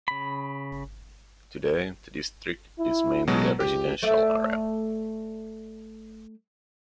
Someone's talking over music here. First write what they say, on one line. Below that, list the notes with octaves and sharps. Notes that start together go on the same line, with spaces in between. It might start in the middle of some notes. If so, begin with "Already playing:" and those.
Today, the district is mainly a residential area.
C#3 B5
E4
A1 B2 F#3 G#3
C#2 G4
A3 D5 E5